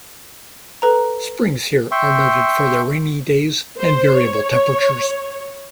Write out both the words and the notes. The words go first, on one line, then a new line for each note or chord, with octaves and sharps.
Springs here are noted for their rainy days and variable temperatures.
A4 B4 A#5
E5 G5 C6 C#6
C5
C#5